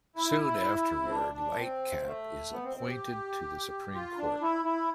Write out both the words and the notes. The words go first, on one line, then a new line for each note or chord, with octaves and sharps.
Soon afterward, Lightcap is appointed to the Supreme Court.
E4
C4
D4
D4
C4
A3
B3
C4
C4
G4
F4
D4
E4
E4